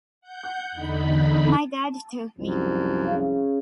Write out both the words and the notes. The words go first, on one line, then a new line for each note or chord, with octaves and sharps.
My dad took me.
F#5 G6
E2 D3 D#4 B5
C2 F#2 F3
C#3 C#4